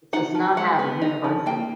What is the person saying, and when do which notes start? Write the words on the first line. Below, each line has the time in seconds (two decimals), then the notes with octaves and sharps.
It does not have a university.
0.13 D#4 F#5
0.35 F3
0.57 G#3 F#5
0.79 B3
1.01 D#4
1.24 F3
1.46 A#3 G5